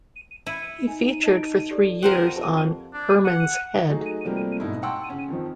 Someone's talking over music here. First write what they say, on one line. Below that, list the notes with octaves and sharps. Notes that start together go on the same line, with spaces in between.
He featured for three years on "Herman's Head".
E4 C#7 D#7
D#4 G#5
D#5 A5 D7
G4 A4 D5
F2 A#4 C5 F#5 G5 C6
G4 A5
D4
F#5
F#3 A3 D#4 F#4 G#4
C3 F3 G3 A3 A#3
G#2 B2 D#4 E4
F#5 G5 A5 C6 C#6 E6
C#3 C#4
F2 D#3 F3